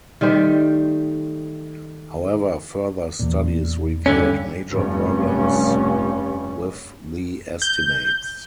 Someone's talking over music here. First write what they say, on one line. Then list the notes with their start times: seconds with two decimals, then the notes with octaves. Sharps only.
However, further studies revealed major problems with the estimates.
0.21 D#3 G3 A3 C5
3.19 E2 A#2
4.06 G2 D3 C#4
4.71 F1 G2 C#4
7.62 G6